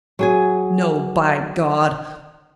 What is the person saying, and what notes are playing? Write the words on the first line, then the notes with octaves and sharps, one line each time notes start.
No, by God!
F#3 G#4 G#5